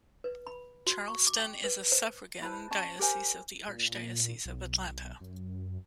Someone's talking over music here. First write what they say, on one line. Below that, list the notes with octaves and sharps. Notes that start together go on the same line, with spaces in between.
Charleston is a suffragan diocese of the Archdiocese of Atlanta.
B4
B5
F#4
C#6
D6
G5
B4
C5
E4 B4 C5 A5
C#4 A5
G4 A#4 C5 G#5
A#2
B1
F#2